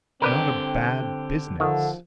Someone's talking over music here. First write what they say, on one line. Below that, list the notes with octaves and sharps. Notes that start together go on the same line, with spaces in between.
"Not a BAD business?"
D3 C4 G4 A#4 B4 D5
D3 D#3 F3